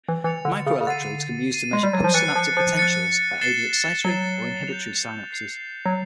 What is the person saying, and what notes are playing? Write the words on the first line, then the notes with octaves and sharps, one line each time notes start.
Microelectrodes can be used to measure postsynaptic potentials at either excitatory or inhibitory synapses.
E3
E3 A6 C#7 F7
D3
C#3
C#3
D3 A6 C7 D#7
A6 C7 D#7
G#3
G3
F#3
F3
E3 F#6 A6 C#7
F3
F3
F#6 A6 C#7
A6 C7 E7 G7
F#3 A6 C7 E7 G7
G6 C7 F7
G6 C7 F7
F#3